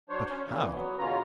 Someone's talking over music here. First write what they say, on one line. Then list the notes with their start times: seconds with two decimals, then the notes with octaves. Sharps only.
But how!
0.10 F#3 D4 C5 C#5
0.27 C#4
0.46 F2 A#2 C#3 E3
0.74 F#3 B3
0.98 E2 B2 D3 C#4 F4 A#5